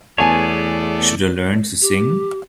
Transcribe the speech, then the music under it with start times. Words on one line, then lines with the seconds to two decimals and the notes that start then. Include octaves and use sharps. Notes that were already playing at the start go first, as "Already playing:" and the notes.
Should I learn to sing?
0.18 E2 A3 B3 G#4 C#5 D5 G#5 A5
1.81 G4